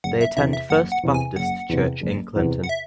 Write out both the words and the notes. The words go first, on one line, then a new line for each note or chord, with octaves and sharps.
They attend First Baptist Church in Clinton.
F#1 F#5
E5
E2 C3 E5
E5
F#1 F#5
F#5
E2 C3
G#5
F#1 F#5
E2 C3
F#1
E2 C3
F#5
E5